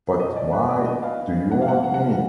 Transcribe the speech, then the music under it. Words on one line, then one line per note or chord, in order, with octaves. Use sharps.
But why do you want me?
B2 D#5
D5
B4
D5
D#5
F5
A#2 F#5
F3
F5
F#5
F#5
F#5
F5